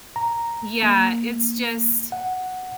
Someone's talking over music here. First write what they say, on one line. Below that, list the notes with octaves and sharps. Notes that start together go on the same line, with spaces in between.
Yeah, it's just
A#5
A#3
F#5